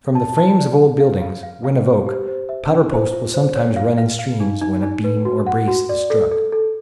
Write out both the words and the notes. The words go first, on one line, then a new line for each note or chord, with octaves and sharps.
From the frames of old buildings, when of oak, powder-post will sometimes run in streams when a beam or brace is struck.
A5
A5
D5
A4
F5
F5
F5
F5
C5
G4
C5
E5
D4
C5
F4
C5
C#5
F5
F5
F5
D#4
D#4
D#4
B4
F#4
F#5
F#4
D5
A4
A4
A4